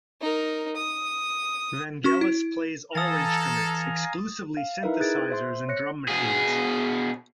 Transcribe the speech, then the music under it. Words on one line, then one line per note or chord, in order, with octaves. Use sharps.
Vangelis plays all instruments: exclusively synthesizers and drum machines.
D#4 A#4
D#6
C#4 F#4 C#6
E4
E3 A4 F5 G#5 A#5 D#6 A6
F5
D#4 E4 A#4 B4 E5
G#4 F#6 G#6 A6 D7
C5 E5 C6
C#5 F#6 A#6 C#7
B2 G#4